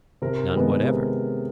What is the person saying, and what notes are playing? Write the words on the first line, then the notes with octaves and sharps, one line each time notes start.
None whatever.
C3 A#4
D#3 G#3 B3
C3